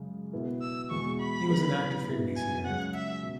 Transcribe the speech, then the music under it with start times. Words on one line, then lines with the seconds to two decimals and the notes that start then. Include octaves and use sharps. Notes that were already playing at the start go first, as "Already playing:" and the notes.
He was an active Freemasonry.
Already playing: F#2 C#3 G#3
0.33 B2 B3 E4
0.62 E6
0.90 E2 B2 G#3 E4 C#6
1.20 B5
1.49 F#2 E3 B3
2.07 C#2 B2 B3 E4
2.37 G#5
2.65 F#2 C#3 G#3 C#4 F#5
2.95 E5
3.23 B2